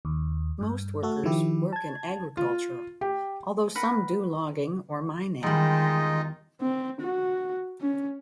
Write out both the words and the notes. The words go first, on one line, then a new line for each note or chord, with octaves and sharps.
Most workers work in agriculture although some do logging or mining.
D#2
G2
A3 F#4 A4
D#3 F3 E4 G4
A5 G#6
F4
G4
A#4 B4 F#5
E2 D#3 G3 G#3 D#4 F4 D#5 G5
C4
F#4
C#4